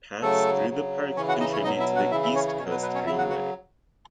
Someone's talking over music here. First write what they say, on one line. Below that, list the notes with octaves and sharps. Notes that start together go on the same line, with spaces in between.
Paths through the park contribute to the East Coast Greenway.
C#3 F#3 A3 A4
C#3 F#3
C#3 E3 C#4 C#5
F#4 F#5
D#4 D#5
C#4 C#5
B2 F#3 D#4 D#5
E4 E5
F#4 F#5
C#3 E3 E4 E5
E4 E5
C#4 C#5
C#4 C#5
B2 F#3 C#4 C#5
B3 B4
B3 B4
C#4 C#5
C#3 F#3 E4 E5
F#4 F#5
F#4 F#5